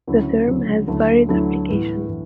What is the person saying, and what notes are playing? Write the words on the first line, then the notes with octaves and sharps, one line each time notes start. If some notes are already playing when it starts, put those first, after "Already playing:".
The term has varied applications.
D2 C#3 F#3 C#4 E4
D2 C#3 F#3 C#4 E4
D2 D3 F#3 A3 E4
D2 D3 F#3 A3 E4
A2 E3 B3
A2 E3